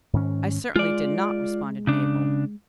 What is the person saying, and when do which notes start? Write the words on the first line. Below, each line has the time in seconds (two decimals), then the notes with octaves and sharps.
"I certainly did not," responded Mabel.
0.13 G#2 D#3 C#4
0.76 G#3 F4 D5
1.87 C#3 D4